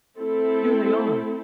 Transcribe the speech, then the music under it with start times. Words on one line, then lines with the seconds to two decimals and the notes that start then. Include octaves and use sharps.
Here they are.
0.18 A3 C4 E4 A4